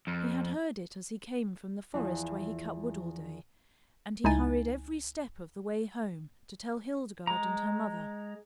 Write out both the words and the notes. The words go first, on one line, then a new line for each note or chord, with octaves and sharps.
He had heard it as he came from the forest where he cut wood all day and he hurried every step of the way home to tell Hildegarde and her mother.
F2
E2 E3 F3
C#2 D#4 E4 G#5 A6
G#3 A#5